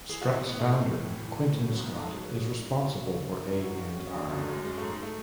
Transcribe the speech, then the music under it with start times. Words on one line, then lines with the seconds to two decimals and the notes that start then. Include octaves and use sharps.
Strut's founder, Quinton Scott, is responsible for A and R.
0.09 E3 G#4
0.21 F#4
0.26 E3
0.33 E4
0.43 A2 B3
0.59 E3 A3
0.77 A2
0.93 A2
1.10 E3
1.27 E3
1.44 A2
1.60 F#3 A3
1.74 B3
1.78 G#2
1.85 B3
1.95 G#2 A4
2.11 F#3 G#4
2.24 B4
2.28 F#3
2.37 G#4
2.45 G#2 E4
2.62 F#2
2.79 F#2
2.96 F#3
3.13 C#3
3.30 F#2
3.47 F#2
3.57 E4
3.63 F#2 F#4
3.81 F#2
3.97 F#3
4.14 D3 D4
4.27 F#2 B3
4.39 A3
4.48 F#2 G#3
4.64 F#3 G#3
4.77 A3
4.82 G#2
4.90 G#3
5.02 A3